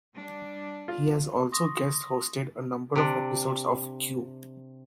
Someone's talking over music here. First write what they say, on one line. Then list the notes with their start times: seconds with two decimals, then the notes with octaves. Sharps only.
He has also guest hosted a number of episodes of "Q".
0.14 G3 D4
0.88 F4
1.52 C6 C#6 D#6 A#6
2.96 C3 D4